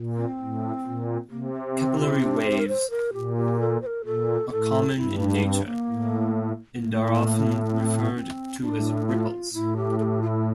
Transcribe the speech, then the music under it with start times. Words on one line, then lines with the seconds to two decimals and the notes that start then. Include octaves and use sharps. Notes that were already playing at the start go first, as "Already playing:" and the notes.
Capillary waves are common in nature, and are often referred to as ripples.
Already playing: A#2
0.17 C4
0.40 A2
0.86 A#2
1.31 C3 A#3
1.53 C4
1.76 C4
1.99 F4
2.04 E4
2.22 D4
2.46 C5
2.57 A#4
2.68 C5
2.90 A#4
3.13 A#2 G4
3.37 G4
3.60 A4
3.82 C5
3.86 A#4
4.05 A#2 A4
4.50 A2 A4
4.97 G2 E4
5.19 E4
5.24 D4
5.42 C4
5.65 A#3
5.88 A2
6.79 A2 A#3
7.71 C4
8.16 D4
8.19 C4
8.62 A2 D4
9.08 F4
9.54 A2 E4
9.77 G4
9.99 A4
10.03 G4
10.22 F4
10.27 E4